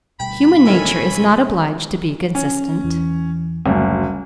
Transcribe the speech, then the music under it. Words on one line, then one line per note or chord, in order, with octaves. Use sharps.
Human nature is not obliged to be consistent.
D2 B2 G3 G5 B5
A2 D#3 C#4 A4 G#5
C#4
E2 E3
F#1 D2 G3 F#5 G#5